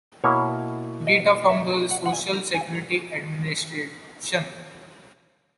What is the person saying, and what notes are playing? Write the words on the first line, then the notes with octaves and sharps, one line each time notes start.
Data from the Social Security Administration.
B2 A#3 E4 C#5
D#5
E5
F#5
F#5
G#5
A#5
G#5
A#5